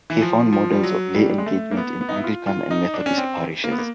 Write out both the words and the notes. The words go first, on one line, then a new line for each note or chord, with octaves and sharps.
He found models of lay engagement in Anglican and Methodist parishes.
E3
F3
F3
G3
F#3
G3
F#3
G3
G#3
A3
A#3
B3
B3
D#4
E4
F4
F4
D#4
D4
C#4
C4
A#3
B3
A#3